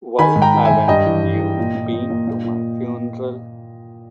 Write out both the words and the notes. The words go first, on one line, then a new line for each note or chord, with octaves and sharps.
Why haven't you been to my funeral?
D#3 G#5 B5
G#2
G5 A#5
D#3
E5 G#5
G#2
G2 D#5 G5
E3
G2
E3
A#2
A#2
A#2
A#2
A#2
A#2